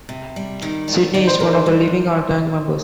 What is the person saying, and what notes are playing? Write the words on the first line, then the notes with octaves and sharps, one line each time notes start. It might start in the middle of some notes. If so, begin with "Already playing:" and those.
Sidney is one of the living "Our Gang" members.
C3
G3
D#3
G3
D#3 D5
C5
D#3 A#4
C5
G3